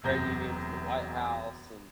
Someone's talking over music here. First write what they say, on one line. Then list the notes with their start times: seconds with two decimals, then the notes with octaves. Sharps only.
credit unions and the White House, and
0.04 E1 F#2 C3 A#5 G6 A#6